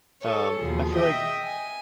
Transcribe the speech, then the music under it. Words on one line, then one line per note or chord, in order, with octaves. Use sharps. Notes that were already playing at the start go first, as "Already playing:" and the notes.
Um, I feel like
A4 C#5
D#2 B2 F3 G#4
D#5 E5 G5 D#6
G#5